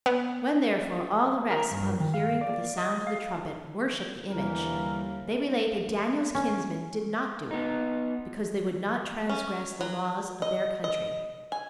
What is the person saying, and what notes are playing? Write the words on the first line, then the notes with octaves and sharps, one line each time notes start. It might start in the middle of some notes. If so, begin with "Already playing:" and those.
When therefore all the rest, upon the hearing of the sound of the trumpet, worshipped the image, they relate that Daniel's kinsmen did not do it, because they would not transgress the laws of their country.
B3
A#4
G2
D#3
F5
D5
D#5
F5
D#2 D3 E3 G3 A#4
C#4
B3 D#4
C#4
F#3
D#5
D#5
G#5